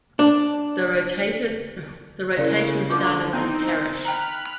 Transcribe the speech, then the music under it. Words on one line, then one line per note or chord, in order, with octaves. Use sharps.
The rotation started in Parrish.
D4
C#3 E4 A#4 D5
D3 F3 F4 B4 D6
B3 C4 D#4
G5 A#5 B5 F6 F#6